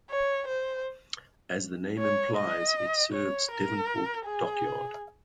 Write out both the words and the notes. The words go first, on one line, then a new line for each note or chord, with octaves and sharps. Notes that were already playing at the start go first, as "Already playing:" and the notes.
As the name implies it serves Devonport Dockyard.
C#5
C5
C#5
D#5
C#5
A#4
G#4